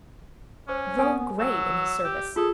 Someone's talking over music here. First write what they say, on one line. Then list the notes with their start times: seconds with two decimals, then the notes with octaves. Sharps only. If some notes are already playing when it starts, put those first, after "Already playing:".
Grown grey in his service!
0.68 C#4 C5 D6 D#6
0.98 B3 A#4 G#5 D#6
1.39 F#3 E6
2.04 G4
2.36 F4 G#4 A4